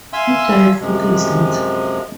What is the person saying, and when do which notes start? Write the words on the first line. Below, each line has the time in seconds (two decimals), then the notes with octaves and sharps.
He died four days later.
0.13 E5 F5 G#5 C6 E6
0.80 F#2 C3 F3 G#3